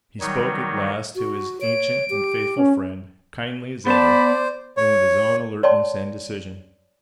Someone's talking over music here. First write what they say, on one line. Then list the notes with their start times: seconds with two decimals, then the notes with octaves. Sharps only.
He spoke at last to his ancient and faithful friend, kindly as ever, and with his own alertness and decision.
0.21 D#3 F#3 G3 D#4 C#5
1.16 F#4
1.61 C#5 D7
2.10 G4
2.57 C#4
3.87 B3 C5 D5 A5 B5
4.77 C#5
5.63 C#5 D5 G5 A5 C6